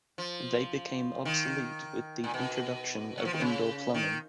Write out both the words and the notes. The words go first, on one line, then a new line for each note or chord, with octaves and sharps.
They became obsolete with the introduction of indoor plumbing.
F3
D#3
A#2
B2
F#3
F3
D#3
C#3
D#3